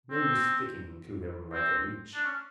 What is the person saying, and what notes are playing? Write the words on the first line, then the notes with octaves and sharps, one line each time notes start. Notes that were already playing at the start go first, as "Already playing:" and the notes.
No use sticking to him like a leech.
C4
C4
D4
C#4